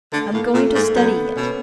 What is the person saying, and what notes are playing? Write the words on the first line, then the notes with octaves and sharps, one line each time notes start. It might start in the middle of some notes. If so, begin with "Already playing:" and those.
I'm going to study it.
D3 A3
A2 A#3
A#2 A3
G#2 A3
F#2 B3
B2 C#4